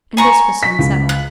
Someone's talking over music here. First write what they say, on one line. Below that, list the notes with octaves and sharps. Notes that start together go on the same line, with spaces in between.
And this was soon settled.
G#5 A#5 C#6
B6
C#2
F#6